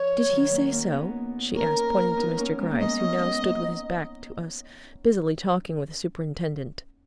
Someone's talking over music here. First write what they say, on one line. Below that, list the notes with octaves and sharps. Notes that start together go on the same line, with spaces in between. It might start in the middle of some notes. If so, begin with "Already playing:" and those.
"Did he say so?" she asked, pointing to Mr. Gryce who now stood with his back to us busily talking with the Superintendent.
Already playing: F3 C#5
D#3 F#3
F#3 A#3
A#3 C#4
B3 D#4
A#3 C#4 A#4
B3 D#4
A#3 C#4
G#3 B3
A#3
G#3 B3 D#5
A#3 C#4
B3 D#4